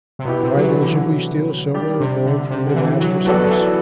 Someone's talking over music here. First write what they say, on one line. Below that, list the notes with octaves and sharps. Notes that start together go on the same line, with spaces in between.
Why then should we steal silver or gold from your master's house?
C3
B2 B3 E4 G4
C3
F#3
E3
D3
G3 D4 G4 D5
C3
D3
C3
D3
E3
F#3
F#3 B3 F#4 A4 D5
F#3
E3